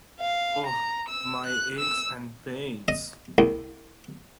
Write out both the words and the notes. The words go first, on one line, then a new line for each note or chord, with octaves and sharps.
Oh, my aches and pains!
F5
A#5
E6
F#6
E6
D#5
C2